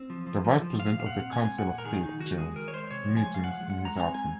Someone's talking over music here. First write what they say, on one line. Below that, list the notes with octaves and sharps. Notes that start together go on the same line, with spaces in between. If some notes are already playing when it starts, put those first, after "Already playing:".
The Vice-President of the Council of State chairs meetings in his absence.
Already playing: C4
F3
F3
F3
F3
A#2 F5
A#2 F5
F#5
C4
A#2 G#5
G#3
F#5
A#2
A#4
D#3 G#4
D#3 D#4
D#3 F#4
G#3 G#4
D#3 A#4
C#5
G#3 C5
C3 C#5
F3
G#5
G#3
F5
F3 F#5
G#3
F#5
G#3
A#5
C4 G#5
G#3 G#5